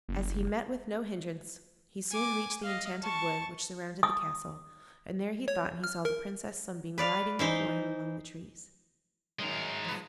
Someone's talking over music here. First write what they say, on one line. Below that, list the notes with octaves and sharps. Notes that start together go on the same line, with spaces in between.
As he met with no hindrance, he soon reached the enchanted wood which surrounded the castle, and there he thought he saw the Princess Sunbeam gliding before him among the trees.
F#1
G#5 D6
D#5 F5
A5 C#6
D#6
C#5
F6
A#4
B4 D5 F5
E3 D#4 C5
F#2 D#3 G#3 A#4
F3 B4